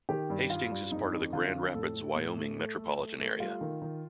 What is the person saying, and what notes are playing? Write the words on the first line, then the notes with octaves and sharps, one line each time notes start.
Hastings is part of the Grand Rapids-Wyoming metropolitan area.
D#3 G4
G2
G3 F4
G2
F2 D#4
F2
D3 F4
F2
A2 A4
A3
A2
A3
A3
A3
A3
A3
G3 F4
D#3
D#3